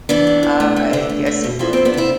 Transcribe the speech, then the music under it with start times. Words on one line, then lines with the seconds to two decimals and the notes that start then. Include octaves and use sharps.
I guess it would, yeah.
0.09 E3 B3 D4
0.27 A2
0.43 A2
0.60 A3
0.76 A3
0.93 D3
1.09 A3
1.26 A3
1.44 B2
1.59 F3 C4 E4
1.73 D3 C4 E4
1.85 B3 D4
1.94 D3 C4 E4